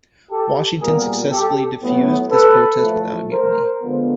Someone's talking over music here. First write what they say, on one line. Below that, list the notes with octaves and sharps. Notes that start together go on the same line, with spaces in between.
Washington successfully defused this protest without a mutiny.
G4 A4
A#2 G3 B3 G#4 A#4
G4 A4
A2 F#3 B3
A4 B4
A2 F3 A3
A#4 C5
D3 F3 G#3 B3